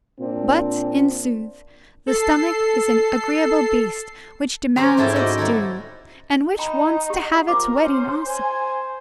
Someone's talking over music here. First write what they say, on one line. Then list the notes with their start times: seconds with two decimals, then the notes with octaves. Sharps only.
But, in sooth! the stomach is an agreeable beast which demands its due, and which wants to have its wedding also.
0.20 A#2 C4 D4
2.07 A4 C7
4.76 C4 C#4 G4 A#4
4.97 G#2 E4 G#4 A4 G5 A5
5.16 E4 F#4 D5 D#5
5.38 G3 D#4 E4 A4
6.58 D#4 G5 A#5 B5
7.10 G4 F#5
7.48 F3 F4 A#4 D6
7.84 C#4 C5
8.26 C5 G#5